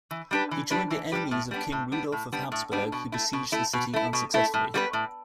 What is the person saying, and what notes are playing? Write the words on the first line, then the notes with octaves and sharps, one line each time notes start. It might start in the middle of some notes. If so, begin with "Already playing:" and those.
He joined the enemies of King Rudolph of Habsburg who besieged the city unsuccessfully.
E3
G3 D4 G4 B4
E3
G3 D4 G4 B4
E3
G3 D4 G4 B4
A2
G3 B3 D4
A2
G3 B3 D4
A2
G3 B3 D4
A2
G3 B3 D4
B2
A3 E4
B2
A3 E4
B2
A3 E4
B2
A3 E4
A2
G3 B3 F#4 B4
A2